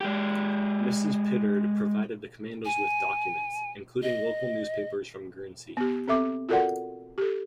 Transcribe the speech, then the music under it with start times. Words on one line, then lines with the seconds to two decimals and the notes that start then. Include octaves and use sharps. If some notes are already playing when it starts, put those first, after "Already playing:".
Mrs Pittard provided the commandos with documents, including local newspapers from Guernsey.
0.01 G#3 G4
2.65 G#5
4.03 D#5
5.77 B3 G4
6.08 C4 A4 E5 D6
6.49 F4 F#4 A4 A#4 D5 F#5
7.18 G4 A4